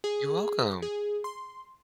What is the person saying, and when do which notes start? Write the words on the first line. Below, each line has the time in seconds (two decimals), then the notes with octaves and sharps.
You're welcome.
0.04 G#4
0.82 G#4
1.24 C6